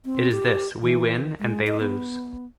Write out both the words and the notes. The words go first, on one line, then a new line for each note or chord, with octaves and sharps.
It is this: We win and they lose.
C4
G4
E3
G#3
D#5
B3